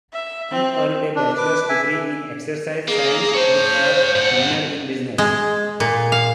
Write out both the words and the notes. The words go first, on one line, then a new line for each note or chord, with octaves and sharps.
He earned a bachelor's degree in exercise science with a minor in business.
E5
C4
D4
B4 D6
E5 G#5
A#3 G#4
C5 C#5 A5
G2 F#5
G#3
A#2
F5